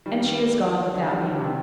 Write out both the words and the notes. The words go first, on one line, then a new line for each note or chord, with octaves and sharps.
And she is gone without me.
D#3 G3
D3 F#3
D#3 G3
D3 F#3
C3 D#3